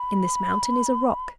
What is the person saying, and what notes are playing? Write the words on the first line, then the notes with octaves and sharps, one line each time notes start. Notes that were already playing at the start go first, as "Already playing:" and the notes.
In this mountain is a rock.
Already playing: B5